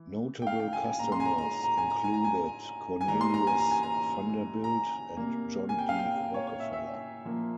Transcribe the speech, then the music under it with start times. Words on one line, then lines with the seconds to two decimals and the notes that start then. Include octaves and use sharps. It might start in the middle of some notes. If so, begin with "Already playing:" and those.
Notable customers included Cornelius Vanderbilt and John D. Rockefeller.
Already playing: E3
0.42 G5
0.47 F5
0.60 G5
0.73 G#5
0.85 G#5
0.99 A#2 G#3 A#5
1.12 C6
1.20 G#5
1.25 A#5
1.38 A#5
1.51 A#5
1.64 A#5
1.78 G#5
1.90 A#5
2.04 G#5
2.14 A#5
2.24 G#5
3.01 G#5
3.08 E3 G3 A#3 A#5
3.21 C6
3.34 A#5
3.47 G#5
3.60 A#5
3.71 G#5
3.83 A#5
4.64 A#5
5.17 C3 G3 A#3
5.69 G#5
5.79 G5
5.89 F5
5.99 G5
6.34 C#5
6.47 C#5
6.60 E5
6.73 E5
7.25 A#2 F3 A#3